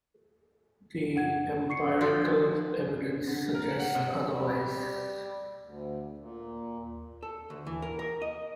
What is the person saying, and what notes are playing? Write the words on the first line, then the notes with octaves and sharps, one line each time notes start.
The empirical evidence suggests otherwise.
F#2 F#5 G#6
C#6 C7 C#7
F3 F#4
D3
A#4
F#5
C3
G3
D2
A#2
A4
D2
E3
A#4
A#4
D#5